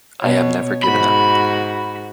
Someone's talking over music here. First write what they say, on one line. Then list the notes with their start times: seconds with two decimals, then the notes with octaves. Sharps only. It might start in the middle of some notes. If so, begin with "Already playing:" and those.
I have never given up.
0.21 B2 C#5
0.83 G#2 F#4 B5